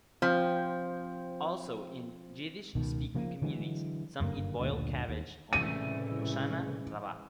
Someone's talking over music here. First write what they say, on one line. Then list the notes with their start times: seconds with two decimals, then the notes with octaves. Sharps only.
Also in Yiddish-speaking communities, some eat boiled cabbage on Hoshanah Rabbah.
0.22 F3 C4
2.75 C#2 B2 D#3
3.15 C#3 F3 A#3
3.42 D3 E3 F#3 G#3
4.20 F#1 G2 D3 A#3
4.60 F#1 D2 A#2 D3
5.08 D#2
5.53 C2 A2 C#3 E3 G#3 A3 D#7